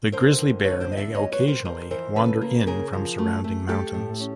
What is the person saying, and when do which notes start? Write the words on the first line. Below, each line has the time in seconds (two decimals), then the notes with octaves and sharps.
The grizzly bear may occasionally wander in from surrounding mountains.
0.12 D3 A#4 C5
0.38 F2
0.63 D3 B4 C#5
0.80 C5 D5
0.89 B3 D#5
0.97 D5 E5
1.14 G3 C#5 D#5
1.32 B4 C#5
1.40 C3
1.48 A#4 C5
1.65 F2 A#4 C5
1.90 E3 A#4 C5
2.16 C#3 A4 B4
2.41 A#3
2.60 B4
2.67 C#3 G#4 A#4
2.93 F3
3.18 A3
3.44 A3
3.68 A3 G4 A4
3.94 A2
4.20 C#4